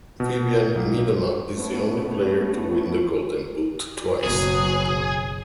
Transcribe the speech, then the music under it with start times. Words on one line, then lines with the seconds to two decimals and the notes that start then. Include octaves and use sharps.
Vivianne Miedema is the only player to win the Golden Boot twice.
0.20 B2
0.76 B1
1.57 A3 B3 C#4
4.23 F#1 B2 F#3 G#4